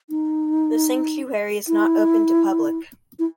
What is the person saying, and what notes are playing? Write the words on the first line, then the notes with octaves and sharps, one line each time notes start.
The Sanctuary is not open to public.
D#4
E4
E4